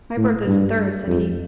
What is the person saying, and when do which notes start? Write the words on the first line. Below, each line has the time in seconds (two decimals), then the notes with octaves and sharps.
"My berth is the third," said he.
0.17 A2
0.47 G2
1.07 F2